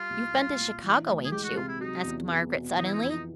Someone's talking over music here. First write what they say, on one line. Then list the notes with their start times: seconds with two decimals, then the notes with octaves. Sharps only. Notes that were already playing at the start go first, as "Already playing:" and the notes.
"You've been to Chicago, ain't you?" asked Margaret suddenly.
Already playing: G3 F4
0.10 C2
0.34 C2
0.58 A#2
0.83 E3
1.08 D2
1.24 G#4
1.31 G#3 G4
1.43 F#4
1.56 C3 F4
1.68 E4
1.80 F#3 D#4
2.05 E2
2.29 B3
2.53 B2
2.77 E3 D#4
2.85 E4
2.93 D#4
3.01 F2 E4
3.09 D#4